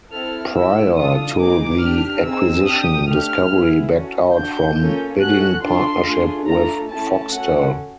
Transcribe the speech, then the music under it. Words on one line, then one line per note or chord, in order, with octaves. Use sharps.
Prior to the acquisition, Discovery backed out from bidding partnership with Foxtel.
C4 E4 A4 F6
B3 E4 G4 E6
D4 F4 A4 D#6
B3 D#4 G#4 D6
D4 G4 F6
C4 D#4 G#4 E6
D4 G4 D#6
A3 D4 G4 F6
B3 E4 G#4
C#4 F#4 A4
D4 F#4 A4 G6
A#3 C#4 F4 A4
C#4 F#4 A4 F#6
D4 F4 A4 C6
A3 D4 F4 G#4
A3 D4 F4 A4 A#5
A3 C#4 E4 A5
C#4 F#4 A4 F#5